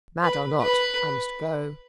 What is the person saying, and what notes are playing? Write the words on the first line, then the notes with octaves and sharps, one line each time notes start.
"Mad or not, I must go."
B4
B4